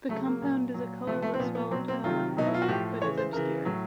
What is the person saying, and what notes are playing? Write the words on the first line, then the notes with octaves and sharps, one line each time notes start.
The compound is a colourless volatile liquid, but is obscure.
C#3 F#3 A3
A#3
A#2 F#3
A#2 F#3
C3 F3 A3
A3
C4
A#2 F3 B3
B3
B2 F#3 C4
C4
C3 D#3 F#3 F4
B2 F#3 D#4
E4
F4
F#4
A2 F3 G4
C#3 E3 C#5
C5
C#3 E3 A#4
A2 F#3